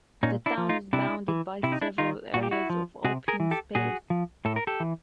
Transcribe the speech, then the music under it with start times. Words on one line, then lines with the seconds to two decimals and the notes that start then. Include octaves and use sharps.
The town is bounded by several areas of open space.
0.23 A#2 C#4 D#4
0.46 D4 E4
0.58 F3
0.69 D#4 F4
0.93 C3 D4 E4
1.28 E3
1.63 C3 E4
1.72 D#4
1.81 D4 E4
1.98 D#3 D#4 F4
2.34 A#2 F#4
2.43 G4
2.51 E4 F#4
2.70 F3
3.04 C3 F#4 G#4
3.28 G#4 A#4
3.40 E3
3.51 G4 A4
3.75 A#2 F#4 G#4
4.10 F3
4.45 A2 A4
4.56 A#4
4.67 G4 A4
4.80 E3